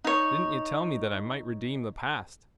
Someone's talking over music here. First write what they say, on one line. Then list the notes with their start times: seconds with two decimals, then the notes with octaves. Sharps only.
Didn't ye tell me that I might redeem the past?
0.04 D#4 C#5